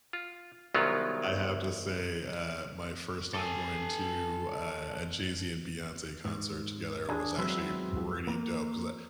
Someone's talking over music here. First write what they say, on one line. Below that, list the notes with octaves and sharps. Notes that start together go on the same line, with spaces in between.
I have to say, uh, my first time going to, uh, a Jay-Z and Beyoncé concert together was actually pretty dope 'cause I
F4
C2 D#3 F#3 G#3 B3 F4
A4 G#5
G#2
D4 G#4
F#3 G#3 B3 C4 E4
A#3